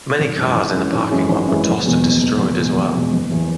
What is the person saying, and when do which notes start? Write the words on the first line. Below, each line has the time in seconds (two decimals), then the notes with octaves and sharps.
Many cars in the parking lot were tossed and destroyed as well.
0.19 G#1
0.37 F#2 E3 G#3 C#4
0.55 G#1
0.74 F#2 E3 G#3 C#4
0.93 G#1
1.11 F#2 E3 G#3 C#4
1.29 G#1
1.47 F#2 E3 G#3 C#4
1.66 F#1
1.84 E2 B2 G#3
2.02 F#1
2.20 E2 B2 G#3
2.39 F#1
2.58 E2 B2 G#3
2.75 F#1
2.94 E2 B2 G#3
3.12 F#1
3.31 E2 E3